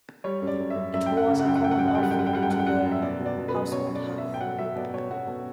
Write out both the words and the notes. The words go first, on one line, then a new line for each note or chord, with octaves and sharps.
It was a common offering to the household hearth.
G3 C#5
F#2
D5
F#2
E5
F#2
F#2 E5
F#2 G5
F#5
C#3
F#5
F#2 G5
F#5
F#2 G5
F#5
F#2 G5
F#5
G5
G3 F#5
G5
F#2 F#5
G5
G3 F#5
G5
F#2 F#5
G5
F#2 F#5
F#2
E5
B2 D5
B2
D5
B2
B4
F#3
B2 C#5
F#3 C#5
D5
F#3
E5
F#3
G5
F#3 F#5
F#3 E5
B2 D5
B2 C#5
B2 F#4
B2